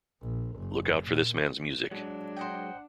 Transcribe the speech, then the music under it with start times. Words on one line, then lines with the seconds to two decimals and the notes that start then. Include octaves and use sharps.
Look out for this man's music'.
0.21 A#1
0.56 F#1
1.06 A#2
1.91 F#3 G#3 D4
2.37 C5 D#5 F#5 G5